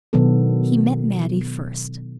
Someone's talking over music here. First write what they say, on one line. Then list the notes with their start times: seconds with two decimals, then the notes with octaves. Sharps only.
He met Mattie first.
0.13 B2 D#3 F#3 B3 D4 A4